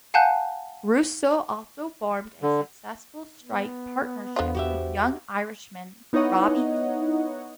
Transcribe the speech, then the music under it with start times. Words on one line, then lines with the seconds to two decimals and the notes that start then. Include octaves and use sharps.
Roussel also formed a successful strike partnership with young Irishman Robbie Keane.
0.14 F5 F#5 G#5 A5 F#6 G6
2.43 D3
3.43 B3
4.36 E2 D3 F4 C5
4.55 F#4 G4 E5
6.13 B3 D#4 E4 C#5 D#5 F#5